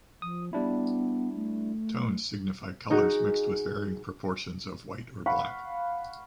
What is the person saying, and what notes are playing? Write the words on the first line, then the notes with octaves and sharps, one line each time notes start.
Tones signify colors mixed with varying proportions of white or black.
F3 D#6
G3 B3 D4 E4
A3
D#4 F#4 G#4
F5 F#5 B5 C#6